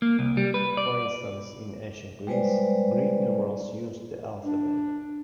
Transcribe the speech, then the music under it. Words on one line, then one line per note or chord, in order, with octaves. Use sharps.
For instance in Ancient Greece, Greek numerals used the alphabet.
A#3
C2
G3
B4
D5
G3 G#3 B4 C5 D5
D4